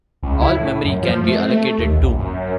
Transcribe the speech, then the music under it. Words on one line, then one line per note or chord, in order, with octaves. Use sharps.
All memory can be allocated too.
C#2
E4
A2
F#2
F3
A3
C4
A3
D#2
A#1
F#2